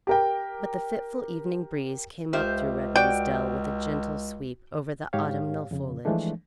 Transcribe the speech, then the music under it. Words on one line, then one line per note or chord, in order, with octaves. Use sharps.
But the fitful evening breeze came up through Redman's Dell, with a gentle sweep over the autumnal foliage.
G4 A#4 G5
C#2 F4 G4 C5 E5
F#4 D5 G5
G#2 G4 C#5 F5
F2 C#3
E3 F3 G#3 A3 D4